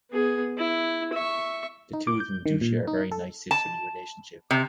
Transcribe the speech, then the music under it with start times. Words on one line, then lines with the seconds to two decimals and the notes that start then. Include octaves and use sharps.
The two of them do share a very nice sisterly relationship.
0.11 B3 G#4
0.57 E4
1.13 E5 C#6
1.93 D#4
2.07 D6
2.20 G6
2.46 D#3
2.61 A#2
2.87 D#4
3.12 A4
3.51 A5
4.51 C3